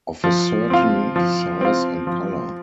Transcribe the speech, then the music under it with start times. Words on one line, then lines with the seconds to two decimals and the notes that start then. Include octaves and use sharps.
Of a certain size and color.
0.24 F3
0.70 C4 F4
1.16 F3
1.61 C4 F4
2.07 F3